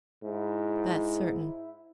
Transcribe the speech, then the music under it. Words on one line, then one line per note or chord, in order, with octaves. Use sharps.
"That's certain."
G#2 E4